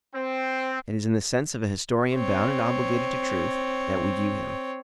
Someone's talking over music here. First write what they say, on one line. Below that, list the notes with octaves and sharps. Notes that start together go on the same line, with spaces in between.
It is in the sense of a historian bound and obligated to truth that we view him.
C4
C4 C#5